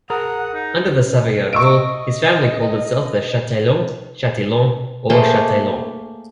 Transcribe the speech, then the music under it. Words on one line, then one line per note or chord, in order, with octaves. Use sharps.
Under the Savoyard rule his family called itself Chateillon, Chatillon, or Chataillon.
G#4 A#4 F#5 A#5 D#6
D#4
D#5 C#6 E6 D7
A3 A#3 G#4 C5